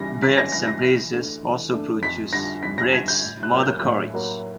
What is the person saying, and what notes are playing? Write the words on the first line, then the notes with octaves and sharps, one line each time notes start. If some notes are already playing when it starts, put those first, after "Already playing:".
Belt and Braces also produced Brecht's "Mother Courage".
Already playing: C#3 E3 G3 A#6
C#3 B6
A#6
E3 G3 A#6
A#6
E3 A#6
A3 D4
E3
A3 D4
F2 B6
D3 G3 A#6
F2 B6
A#6
D3 G3 G#6
G6
A2
F#6
F#3 A#3
G6
A2
F#3 A#3